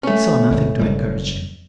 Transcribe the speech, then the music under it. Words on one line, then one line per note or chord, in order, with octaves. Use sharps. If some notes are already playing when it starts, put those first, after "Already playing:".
He saw nothing to encourage him.
A3 C#4
G#1 E2
F#1 G3